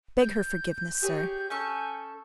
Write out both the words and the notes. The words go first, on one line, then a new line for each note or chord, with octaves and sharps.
Beg her forgiveness, sir.
G6
G4 G#4 C#5
C#4 A4 G#5 C#6